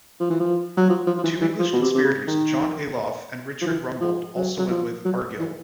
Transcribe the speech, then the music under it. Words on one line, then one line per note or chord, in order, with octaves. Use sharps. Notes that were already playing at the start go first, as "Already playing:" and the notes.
Two English conspirators, John Ayloffe and Richard Rumbold, also went with Argyll.
F3
E3
F3
F#3
F3
F3
F3
E3
E3
F3
B2
C3
C3
C#3
D#3
F3
E3
F3
F#3
F#3
F3
F#3
E3